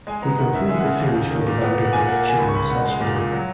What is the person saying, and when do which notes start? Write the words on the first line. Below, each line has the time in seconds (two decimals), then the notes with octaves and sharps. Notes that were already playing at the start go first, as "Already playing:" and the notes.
He completed a series for Vanderbilt Children's Hospital.
0.07 G#3 G#5
0.22 B3 A#5
0.38 D#3 F#5
0.53 C#3 E5
0.67 G#3 E5
0.77 F#5
0.84 C#3
1.00 D#2
1.15 D#2
1.31 D#3
1.47 A#2
1.61 B3
1.78 A#2 F#5
1.92 A#2 G#5
2.05 F#5
2.09 A#3
2.15 F#5
2.24 A#3 G#5
2.39 C#2 B5
2.48 C#6
2.55 C#2 B5
2.70 C#2 F#5
2.86 G#3
3.01 A#2
3.16 A#2
3.32 F#3